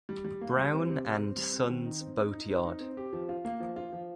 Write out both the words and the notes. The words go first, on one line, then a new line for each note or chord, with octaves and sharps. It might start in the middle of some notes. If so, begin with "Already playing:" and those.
Brown and Sons boatyard.
G3
G3
A#3
G3
C4
C3
C4
C4
G3
C4
D#3
D#4
C4
D#4
D#4
C4
D#4
C4
G4
F3
F4
A#3
F3
F4
F3